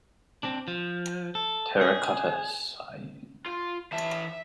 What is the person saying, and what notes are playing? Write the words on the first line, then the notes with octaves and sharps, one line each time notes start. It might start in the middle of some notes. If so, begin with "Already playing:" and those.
Terracotta sighing.
C4 D4
F3
A4
G#4
F4
E3 E5 A5